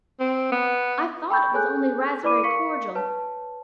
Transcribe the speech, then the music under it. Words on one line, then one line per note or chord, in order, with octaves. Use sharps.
I thought it was only raspberry cordial.
C4
B3
G5 B5 C#6 G6
G#4 A4 C#5 G#5 F#6 G6
E4 B4 D5 B5 D6 D#7
A#4 F5 C#6 B6 C#7
B4 C#5 A5